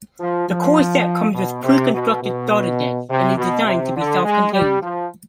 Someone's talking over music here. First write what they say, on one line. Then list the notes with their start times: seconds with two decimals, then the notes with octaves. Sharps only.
The core set comes with pre-constructed starter decks, and is designed to be self-contained.
0.20 F3
0.49 F3
1.35 B2
1.64 C3
1.94 B2
2.22 B2
3.09 C3
3.37 B2
3.66 C3
3.96 D3
4.24 G#3
4.53 G3
4.82 F3